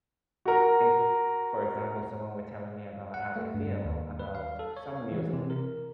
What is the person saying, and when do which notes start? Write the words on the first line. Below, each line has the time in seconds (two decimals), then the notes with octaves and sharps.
if, for example, someone were telling me about how they feel about some music,
0.45 F#4 A#4
3.14 F#5
3.36 A3
3.54 G2
3.85 D#2
4.19 B4
4.35 F5
4.59 A4
4.77 C#5
5.12 E3
5.33 C3
5.50 A#4